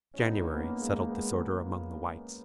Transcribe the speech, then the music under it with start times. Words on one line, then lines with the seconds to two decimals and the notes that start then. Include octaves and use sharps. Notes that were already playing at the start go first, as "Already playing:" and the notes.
January settled disorder among the whites.
0.14 C#4
0.18 B3 D#4
0.41 A#3 C#4
0.53 B3
0.64 A#3
0.79 G#3
0.86 A#3
1.09 G#3 B3